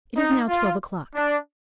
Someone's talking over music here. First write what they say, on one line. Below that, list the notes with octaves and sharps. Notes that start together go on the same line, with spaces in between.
"It is now twelve o'clock."
D#4
F4
D4